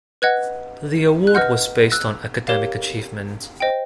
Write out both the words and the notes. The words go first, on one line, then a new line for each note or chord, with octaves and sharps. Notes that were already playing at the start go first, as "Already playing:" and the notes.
The award was based on academic achievement.
B4 D#5 F#5 F#6 G#6
F#6
B4 D#5 F#5 F6 G6
E6 F#6
G4 A#4 C#5 F5
C5 D#5 G5